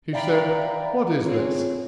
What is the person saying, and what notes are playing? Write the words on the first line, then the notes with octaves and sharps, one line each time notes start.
He said: 'What is this?
D5 E5 F5 G5 A#5 B5
C4 F4 G#4 C#5